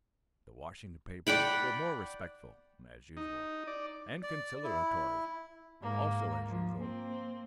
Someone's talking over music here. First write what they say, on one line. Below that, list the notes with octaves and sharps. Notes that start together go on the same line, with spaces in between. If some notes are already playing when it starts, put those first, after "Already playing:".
The Washington papers were more respectful, as usual--and conciliatory, also, as usual.
D5 F#5 G5 B5
D#4
D5
D5
E4
G#2 A#3
F3
A#3 C4